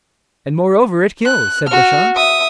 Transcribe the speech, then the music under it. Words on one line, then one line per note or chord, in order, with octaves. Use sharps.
"And moreover, it kills," said Beauchamp.
F#6
F#4 F6
E5 D#6